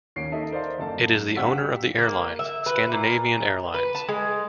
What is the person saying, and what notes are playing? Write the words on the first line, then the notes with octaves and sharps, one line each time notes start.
It is the owner of the airlines Scandinavian Airlines.
D#2 C#4 C7 D7
D#4 A4 D#5 E5
A#4 C5 D5 F5
F#1 A4 A5
F#2
G1 G4 F#5 E6 B6
A#3
E5
B4
A#2
B4
A5
G#3